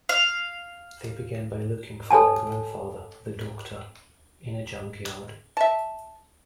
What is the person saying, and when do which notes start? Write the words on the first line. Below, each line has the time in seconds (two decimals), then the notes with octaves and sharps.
They began by looking for their grandfather, the Doctor, in a junkyard.
0.09 F5
2.11 A4 C#5 G#5 A5
5.57 E5 A5